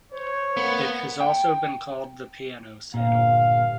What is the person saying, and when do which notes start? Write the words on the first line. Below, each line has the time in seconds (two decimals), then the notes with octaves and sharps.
It has also been called the Peano saddle.
0.12 C5 C#5
0.57 A#3 B3
1.20 G5
2.94 G1 A#2 F5